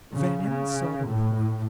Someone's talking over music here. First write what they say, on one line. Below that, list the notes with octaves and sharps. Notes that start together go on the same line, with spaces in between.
Van Emmon saw the point.
C#3
C#3
A2